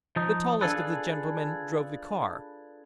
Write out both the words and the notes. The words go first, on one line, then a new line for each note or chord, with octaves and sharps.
The tallest of the gentlemen drove the car.
F3 D#4
D4 F4 G#4 A4 B4